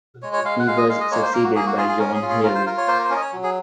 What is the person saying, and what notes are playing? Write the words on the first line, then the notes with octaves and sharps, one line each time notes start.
He was succeeded by John Healey.
G#3 C#5
C#5
G#3 F5
F#5
G#3 F5
D#5
G#3 F5
D#5
A#3 C#5
C5
A#3 A#4
F#4
A#3 G#4
F#4
F4 G#4
G#4
C#4 A#4
G#4
F4
G#4
F4 A#4
C5
F4 A#4
C#5
A#3 C5
A#4
C5
C#4 A#4
D#5
C#5
F#3
G#4